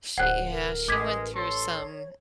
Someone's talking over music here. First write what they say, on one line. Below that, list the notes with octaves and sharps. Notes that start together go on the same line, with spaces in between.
she, yeah, she went through some,
D1 C5 F#5 F#6
A#4
A1 G#3 D6 G#6 B6
A4 C#5 C6